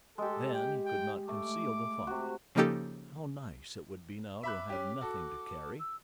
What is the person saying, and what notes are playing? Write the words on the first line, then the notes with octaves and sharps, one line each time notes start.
Then he could not conceal the thought: "How nice it would be now to have nothing to carry!"
G#3 G4 A4
G5
G5
A3 D6
C3 F#4
C#3 F3 A#3 D#4 G4 A4
E5 B5 D6 F#6
C#4 G4
F#4 A4
E6